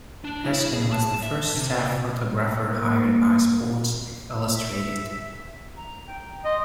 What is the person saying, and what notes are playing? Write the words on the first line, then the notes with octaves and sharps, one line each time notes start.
Peskin was the first staff photographer hired by "Sports Illustrated".
D4
E4
G#4
A5
E5
C3
A#3
E5
A#5
G5
D#5 C6